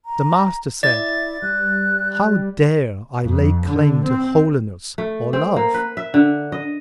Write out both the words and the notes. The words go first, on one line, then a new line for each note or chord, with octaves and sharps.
The Master said, How dare I lay claim to holiness or love?
A#5
E4 D5 A6
G3 F#6
F2
D3
C4
A3
C4
A#3
B4
E5
D3
D#5